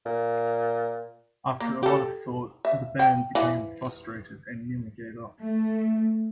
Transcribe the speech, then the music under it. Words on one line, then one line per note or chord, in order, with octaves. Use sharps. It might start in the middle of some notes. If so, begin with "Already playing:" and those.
After a lot of thought, the band became frustrated and nearly gave up.
A#2
A#3
G4 A4
E5
G5
E3
A3